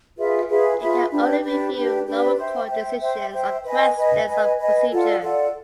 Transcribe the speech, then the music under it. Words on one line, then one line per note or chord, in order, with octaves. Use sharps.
It can only review lower court decisions on questions of procedure.
F4 G#4 B4 E5
F4 G#4 B4 E5
F4 G#4 B4 E5
D4 G4 B4
D4 G4 B4
D4 G4 B4
D4 G4 B4
C5 E5 G5
C5 E5 G5
C5 E5 G5
C5 E5 G5
B4 D#5 G#5
B4 D#5 G#5
B4 D#5 G#5
B4 D#5 G#5
F4 A4 D5 F#5
F4 A4 D5 F#5